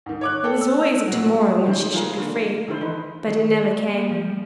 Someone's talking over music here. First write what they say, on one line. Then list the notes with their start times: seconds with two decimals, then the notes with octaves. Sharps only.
There was always a to-morrow when she should be free, but it never came.
0.06 G#2 D#3
0.21 C#5 D6 F#6
0.44 A4 G5
0.61 E6
1.07 A#2 F#3
1.68 C#3 F3 C#4 D#4 G4 C5
1.94 F3 E4 F4 G#4 A#4
2.17 D3 A#3
2.68 D3 D#3 E4 C5
2.81 E3 D#4 B4
3.27 D#3
3.53 D5
3.88 A#3
4.11 F3
4.25 G3